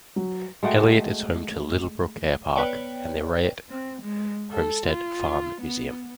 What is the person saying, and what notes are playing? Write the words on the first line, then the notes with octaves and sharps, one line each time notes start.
Eliot is home to Littlebrook Airpark and the Raitt Homestead Farm Museum.
F#3
G#3 A3 F#4 G5
B3 B4 C#5 D5 G5
C4
G#3
A4
F4
B3